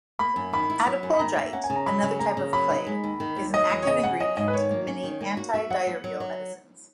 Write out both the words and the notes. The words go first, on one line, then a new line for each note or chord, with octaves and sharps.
Attapulgite, another type of clay, is an active ingredient in many anti-diarrheal medicines.
A#3 B5
F#2
D#3 B5
E4
F#3
F#2
B5
D#3 A#5
A#3
E5
C#4 F#5
G#5
C#3
A#5
F#3 B5
C#3
A#3 A#5
C#3
F#3 B5
D#4
G#3
D#2
D#3
D#2
F#3 D#5
E2
C#5
C#3 D#5
C#4 F#5
F#3 D#5
G#2 D#5
B4
D#3 C#5
A#3
C#4
D#3
A#3
F#4
F#4 E5
F#3 F#5
B3
F#3
F#3